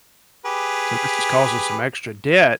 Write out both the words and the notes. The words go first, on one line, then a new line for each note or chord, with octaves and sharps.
So, this is causing some extra debt,
G4 G#4 B4